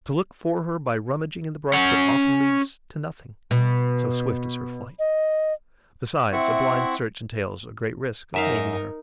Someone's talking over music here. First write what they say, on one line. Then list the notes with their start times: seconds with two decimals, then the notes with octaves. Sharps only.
To look for her by rummaging in the brushwood often leads to nothing, so swift is her flight; besides, a blind search entails a great risk of maiming her.
1.74 C#4 F#5
3.51 B2
4.99 D#5
6.32 C4 E4 E5 F#5 C#6
8.34 F#2 D#4 A#4 E5 F5